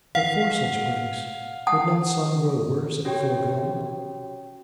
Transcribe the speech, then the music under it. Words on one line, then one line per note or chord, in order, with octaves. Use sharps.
But for such breaks, would not some grow worse at full gallop?
F5 F#5
F#5 A5 D#6
C#4 F#4 G4 C#5 G5